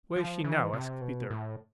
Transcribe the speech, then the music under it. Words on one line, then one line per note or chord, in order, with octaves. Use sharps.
"Where is she now?" asked Peter.
F3
E3
C3
B2
A2